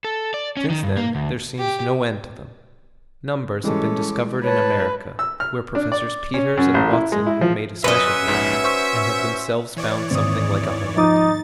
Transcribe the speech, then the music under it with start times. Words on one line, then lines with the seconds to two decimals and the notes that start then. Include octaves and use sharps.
Since then there seems no end to them; numbers have been discovered in America, where Professors Peters and Watson have made a specialty of them, and have themselves found something like a hundred.
0.05 A4
0.34 D5
0.57 C#4
0.70 D#3
0.83 G2
0.97 A#3
1.15 D2
1.58 G4
3.63 E3 G3 G#3 C#4 A4 D6
4.44 B4 C#5 A5
5.19 E6
5.40 F6
5.75 D4
5.92 D5
6.34 C#4
6.57 F#2
6.74 A1
6.92 E4
7.12 G#3
7.26 E4
7.41 F3
7.84 F#2 C#4 F#4 B4 D#5 E5
8.27 A#1 G#2
8.64 C5 C#6 E6
9.76 E3 C#5 D5
10.11 G#1 D#2 C4 D#6
10.97 F3 D#4 D6 D#6 A6